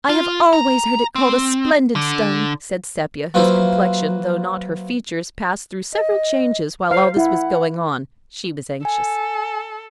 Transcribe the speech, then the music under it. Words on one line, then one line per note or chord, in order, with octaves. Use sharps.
"I have always heard it called a splendid stone," said Sepia, whose complexion, though not her features, passed through several changes while all this was going on: she was anxious.
F4
A#5
C4
D3
F#3 A#3 F4 B4 C5 E5
D#5
C5 F5
E4 F#5
A4 G#5